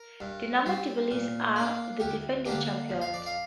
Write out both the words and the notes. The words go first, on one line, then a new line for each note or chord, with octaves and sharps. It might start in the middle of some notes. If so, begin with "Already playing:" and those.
Dinamo Tbilisi are the defending champions.
Already playing: A#4
G2
G3 C4
A#2
A#3 D4
D2 G4
D3 A#3 D4 G4
F2
F5
D5
F5